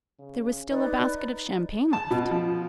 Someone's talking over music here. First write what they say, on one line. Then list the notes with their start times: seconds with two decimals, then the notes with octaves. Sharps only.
There was still a basket of champagne left.
0.19 C#3
0.70 D#4 B4 D5
1.93 A5
2.11 B2
2.31 F3